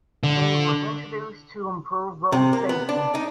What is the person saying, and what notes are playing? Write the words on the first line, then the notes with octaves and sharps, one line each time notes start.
They were introduced to improve road safety.
D3
C3
A#3
B3
D4
D#4